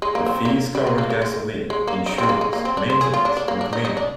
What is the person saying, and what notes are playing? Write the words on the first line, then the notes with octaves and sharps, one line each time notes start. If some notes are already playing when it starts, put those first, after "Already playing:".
The fees covered gasoline, insurance, maintenance, and cleaning.
G#3
A#3
C4
A#3
G3
G#3
A#3
A#3
G#3
G#3
A#3
D#4
G#3 C4
A#3
G#3
A#3
C4
D4
C5
G#4
F4
D4
D4
A#3
D4
D#4
D#4
D4